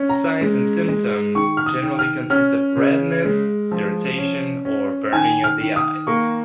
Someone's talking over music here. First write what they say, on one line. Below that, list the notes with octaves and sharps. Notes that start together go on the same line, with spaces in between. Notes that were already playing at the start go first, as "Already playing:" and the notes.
Signs and symptoms generally consist of redness, irritation or burning of the eyes.
Already playing: C#4
A#5
G#3
G#3
D#3 C#6
F6
D#6
D#3
F6
C#4 F6
C#3
G#3
F3
C#4
C#4
D#3 G#5
F6
D#3
D#6
A#3 C#6